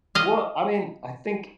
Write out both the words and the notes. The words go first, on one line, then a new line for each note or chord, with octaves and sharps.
Well, I mean, I think
D#5 F5